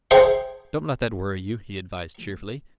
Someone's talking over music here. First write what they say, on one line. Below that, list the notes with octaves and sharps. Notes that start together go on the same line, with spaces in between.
"Don't let that worry you," he advised cheerfully.
G#4 A4 C5 E5 G5